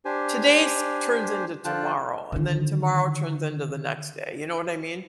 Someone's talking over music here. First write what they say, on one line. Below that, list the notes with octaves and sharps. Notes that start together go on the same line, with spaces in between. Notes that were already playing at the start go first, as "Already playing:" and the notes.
today's turns into tomorrow, and then tomorrow turns into the next day, you know what I mean?
D4 G4 C5 G#5
D3 F3 F4 G5 A5 F#6
D3 D#3